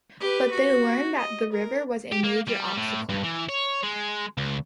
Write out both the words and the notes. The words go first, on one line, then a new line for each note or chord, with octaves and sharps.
But they learned that the river was a major obstacle.
G4 B4
F#4
D#5
A#4
G4
A#3
G3
A2
G2
E3
C#5
G#3
C#2